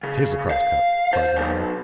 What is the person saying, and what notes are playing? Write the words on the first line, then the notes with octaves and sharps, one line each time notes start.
"Here's the cross cut," cried the miner.
C#3
F5
C5
B1